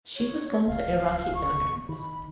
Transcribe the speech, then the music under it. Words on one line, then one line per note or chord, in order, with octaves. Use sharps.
She was born to Iraqi immigrants.
C#5
D1 C#2 F5
C#6
D#3 B5